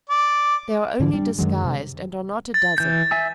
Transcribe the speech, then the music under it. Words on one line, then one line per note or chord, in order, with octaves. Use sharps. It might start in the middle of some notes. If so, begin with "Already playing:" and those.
They are only disguised, and are not a dozen.
D5
G#2 D3 E3 F3
G3 D4
F#2 D#3 F#3 G#3
C3
A6
E3 G6
E5 G#5 E6